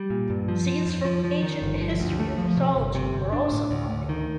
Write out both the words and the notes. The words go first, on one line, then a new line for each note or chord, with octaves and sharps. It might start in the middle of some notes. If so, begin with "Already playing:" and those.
Scenes from ancient history and mythology were also popular.
Already playing: G3
A#2
G2
F3
F3
F2
F3
F3
D#3
G1
F3
D2
A3
F3
C3
G1
C3
G1
D4
A2
D2
D2
D#3